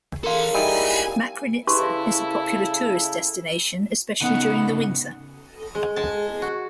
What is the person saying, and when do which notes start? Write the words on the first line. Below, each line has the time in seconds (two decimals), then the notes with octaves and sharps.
Makrinitsa is a popular tourist destination, especially during the winter.
0.24 A4 A#4 F5 C6
0.54 G3 D#4 E4 G#5
1.67 C#3 E4 G4 A4 B4 C6 C#6
4.22 C#3 B3 D#4 F#5
5.75 G#3
5.96 G#3 G#5 A5
6.42 F#4